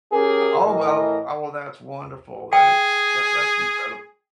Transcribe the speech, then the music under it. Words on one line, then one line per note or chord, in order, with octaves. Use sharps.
Uh, oh, well oh, well that's wonderful. That's that that's incredible.
C#4 G4 G#4 A#4
A2 E3 A#4 D#5
G#4 G5